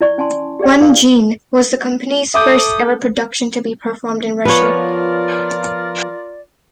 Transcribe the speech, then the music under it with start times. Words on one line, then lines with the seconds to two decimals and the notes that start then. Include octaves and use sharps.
"Onegin" was the company's first ever production to be performed in Russian.
0.01 E4 D5 C#6
0.18 C#4 G#5 A5 C6
0.59 G4 G#4 D5 G5
0.80 D4 E4 B4 F5
2.34 A4 E5 D6 D#6 G6
4.45 F3 B3 F4 A#4 B4 C#5 D5